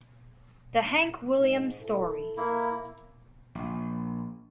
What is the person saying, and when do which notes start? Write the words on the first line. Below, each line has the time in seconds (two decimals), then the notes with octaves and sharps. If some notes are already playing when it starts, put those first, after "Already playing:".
The Hank Williams Story.
1.36 G#2
1.81 E4 A4
2.37 A#3 E4
3.55 A#1